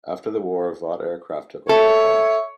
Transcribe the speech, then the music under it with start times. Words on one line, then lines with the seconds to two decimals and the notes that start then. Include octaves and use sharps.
After the war, Vought Aircraft took over the plant.
1.69 A4 C#5 E5